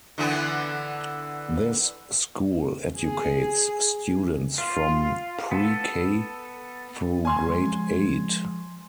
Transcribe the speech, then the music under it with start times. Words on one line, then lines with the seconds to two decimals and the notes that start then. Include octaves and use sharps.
This school educates students from pre-k through grade eight.
0.18 D3 E3 B3
2.97 G#4
4.58 F4
5.51 B3 A4
7.25 G#5 C6 G#6
7.47 F3 G#3